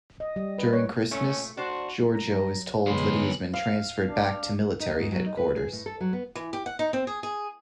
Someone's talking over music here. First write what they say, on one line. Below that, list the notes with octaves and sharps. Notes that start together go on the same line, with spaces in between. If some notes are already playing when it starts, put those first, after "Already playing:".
During Christmas, Giorgio is told that he has been transferred back to military headquarters.
D#5
G3
B4
C#5
A#2 A3 C#4
D4 F#4 C5
F#3 A#5
F#2 D3 G#3 B3 C#4 B4 C6
F5
D4
D#4
G#2
F#3
D#4
B4
G#4
A2
A4
F#3
B3
E3
G4
F#5
D#4
C4
G#4
G#4